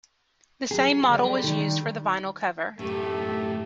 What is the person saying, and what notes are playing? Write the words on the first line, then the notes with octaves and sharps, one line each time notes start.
The same model was used for the vinyl cover.
F#3 G#4
D3 G3
D#3
F#2 A2 A3 G4